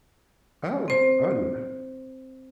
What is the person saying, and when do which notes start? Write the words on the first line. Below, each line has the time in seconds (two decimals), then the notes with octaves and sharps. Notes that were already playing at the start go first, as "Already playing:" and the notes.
Oh, oh, yeah.
0.88 C4 C5